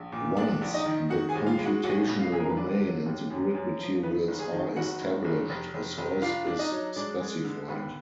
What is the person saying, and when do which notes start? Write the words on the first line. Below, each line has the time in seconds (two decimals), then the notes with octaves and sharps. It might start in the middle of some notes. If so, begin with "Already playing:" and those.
Once the computational domain and the grid materials are established, a source is specified.
Already playing: A#1
0.12 A#2
0.37 A#1 D4 D5
0.62 A#1
0.73 D#4 D#5
0.86 D#3
1.10 D#3 F#4 F#5
1.29 G#4 G#5
1.35 D#2
1.46 F4 F5
1.59 G#3
1.65 F#4 F#5
1.84 B1 F#4 F#5
2.08 B2
2.20 F4 F5
2.32 B1 G#4
2.40 A#4
2.49 B4
2.57 D3 D4 D5
2.81 F#3
3.06 D#2
3.30 F#2
3.55 F#2
3.79 F3
4.03 D#3 B3 B4
4.28 F#1
4.39 G#4 G#5
4.52 D#3
4.76 F#1 F#4 F#5
5.01 F#1
5.25 F#1
5.49 F1
5.74 F1
5.98 F1
6.22 D4 F4 F5
6.47 D4
6.59 D#4 D#5
6.72 F#3
6.96 G#3 D4 D5
7.20 G#3
7.44 D3
7.68 D#2 B3 B4